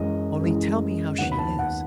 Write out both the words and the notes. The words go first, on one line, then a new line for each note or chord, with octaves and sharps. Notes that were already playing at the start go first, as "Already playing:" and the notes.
Only tell me how she is.
Already playing: F#2 E3 G#3 D#5
F#2 E3 G#3
D#2 D#3 F#3 B3 F#5
B5
A5
F#5